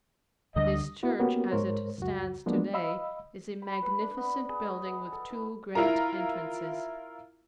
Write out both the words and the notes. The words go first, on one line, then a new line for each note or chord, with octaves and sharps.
This church as it stands today is a magnificent building with two great entrances.
D2 D3 G3 D#5
B3 E4 F#4
A#3 B3 C#4 F#4 G4 A#4
G#2 G#3 A#4 C5 C#5
C#2 F#2 F#4
F3 F#3 G#3 A#3 B3 D4
D#5 F5 B5 E6
B5
B4
D4
B3
G#4
D#5
B3
A4
E4
E4 F4 A#4 A#5